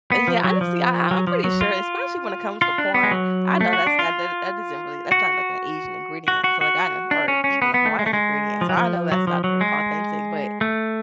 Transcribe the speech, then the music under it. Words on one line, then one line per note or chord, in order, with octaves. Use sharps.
But, yeah, honestly, I I I'm pretty sure, especially when it comes to corn, I know that's that that that doesn't really that's not, like, an Asian ingredient, so, like, I or even a Hawaiian ingredient, so I know that's not the c authentic, but
B3
F3
F#3
F3
F#3
F3
F#3
F4
F4
D4
B3
G#3
F#3
A3
F#4
D4
F4
F#4
F#4
F#4
F#4
D4
C#4
C#4
B3
B3
A3
G#3
A3
G#3
F3
F#3
F3
F#3
F3
F#3
G#3
A3